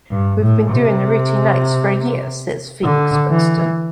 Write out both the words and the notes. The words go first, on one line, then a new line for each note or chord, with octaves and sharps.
We've been doing the Rooty nights for a year,' says Felix Buxton.
G2
A2
C3
D3
E3